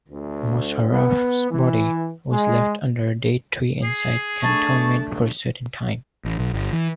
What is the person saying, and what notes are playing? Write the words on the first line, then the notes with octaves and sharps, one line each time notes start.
Mosharraf's body was left under a date tree inside cantonment for a certain time.
D2
B3
E3
G#3
G#4 C7
A3 D4 A5 C#6
A1
B1
G1
E3